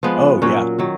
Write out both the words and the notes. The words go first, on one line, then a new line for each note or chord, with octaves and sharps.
Oh, yeah.
F3 G#3 B3
A#2 F#3 C#4 F#4
D#3 F#3